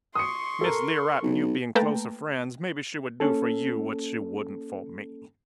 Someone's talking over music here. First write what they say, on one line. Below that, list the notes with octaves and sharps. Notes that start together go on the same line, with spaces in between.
Miss Learight and you being closer friends, maybe she would do for you what she wouldn't for me.
C6 C#6 D#6 C#7
A4 A#4
B1
A3 A#3 B4 G5 A5 A#5
A#3 C#4 A4